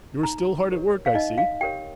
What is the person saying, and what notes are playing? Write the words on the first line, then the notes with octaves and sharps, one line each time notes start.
"You are still hard at work, I see?"
D#4 A#5
G4 A#4 C#5
F5
D#4 D#5
F5
G4 A#4 C#5 G5